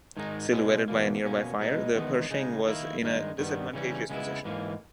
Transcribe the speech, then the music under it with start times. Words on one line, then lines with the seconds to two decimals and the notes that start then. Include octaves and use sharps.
Silhouetted by a nearby fire, the Pershing was in a disadvantageous position.
0.17 G#2 D#3 G#3 D#4
0.52 B2 G#3 B3
0.88 E2 B2 A#3
1.24 B2 A#3 C#4
1.60 B2 G#3 D#4
1.95 E2 D#3 G#3 B3 D#4
2.31 C#3 G#3 D#4
2.66 D#3 A#3 E4
3.02 G2 D#3 G#3 D#4
3.38 G2 D#3 G3 B3
3.73 C#3 E3 G3 C#4
4.10 C#3 G#3 B3 E4
4.45 G#2 E3 A#3